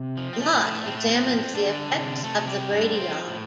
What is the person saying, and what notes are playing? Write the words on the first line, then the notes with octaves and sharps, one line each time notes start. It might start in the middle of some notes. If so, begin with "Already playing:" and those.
Lott examines the effects of the Brady law.
Already playing: C3
F3
C4
A3
A2
A3
A2 C4
A3
C4
F3
D3 G3 D4
C3
C3 A3 A4
G3 G4
G3
D3 D4
F3 C4
A2